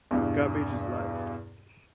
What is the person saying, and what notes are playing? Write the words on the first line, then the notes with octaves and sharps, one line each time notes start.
Garbage is life.
E2 G2 B2